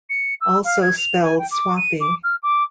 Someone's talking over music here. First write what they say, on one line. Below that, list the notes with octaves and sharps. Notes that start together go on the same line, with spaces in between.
Also spelled Swathi.
C#7
E6
F5
G#6
F7
G#5
G5
D6
D#7
D6
F6
D6